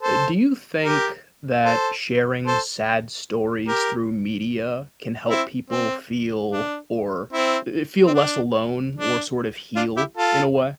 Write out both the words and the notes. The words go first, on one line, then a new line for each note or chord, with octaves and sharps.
Eh, do you think that sharing sad stories through media can help people feel, or eh, feel less alone, or sort of heal, in a way?
A4 C5
G4 A#4
A4 C5
A4 C5
G4 A#4
C4 E4
C4
D4
C4 E4
C4
D4
D4
D4 F4
E4 G4
F4 A4